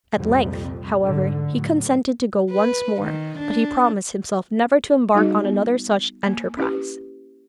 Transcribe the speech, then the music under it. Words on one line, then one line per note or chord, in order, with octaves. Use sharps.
At length, however he consented to go once more, but he promised himself never to embark on another such enterprise.
C2 F2 A#2 G3
G#2 D3
A2 F#3
B4
D#3
D4
G3 D#4 F#4 G#4 D#5
B3
A#3
C#4 E4 G4 B4